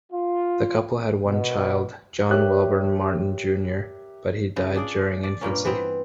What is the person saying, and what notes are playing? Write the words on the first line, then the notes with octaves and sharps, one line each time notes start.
The couple had one child, John Wellborn Martin, Junior but he died during infancy.
F4
B2
G4 A#4 C#5 E5 F#6
C#3 F4
D4 G#4 D5
D5
G2 A#2 A#3 C#4
E3 B3 C4